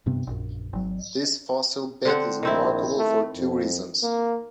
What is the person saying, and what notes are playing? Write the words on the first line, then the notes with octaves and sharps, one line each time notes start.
This fossil bed is remarkable for two reasons.
G2 C3 B3
A#1 F#2
G#1 F#3
D3 C4 F#5
A#1 D#3 C4 E4
A3
F2
A#3